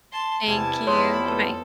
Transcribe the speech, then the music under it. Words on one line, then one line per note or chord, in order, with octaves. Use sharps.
Thank you. Bye bye.
A5 C6
E2 C3 E3 G3 E4 G#5 A5
F2 B3 C#5 A5 B5 C6 D#6
A4